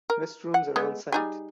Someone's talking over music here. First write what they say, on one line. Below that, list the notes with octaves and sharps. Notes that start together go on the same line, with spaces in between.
Restrooms are on site.
A#4
F#5
G#3 A3 B3
G3 D#4 G#4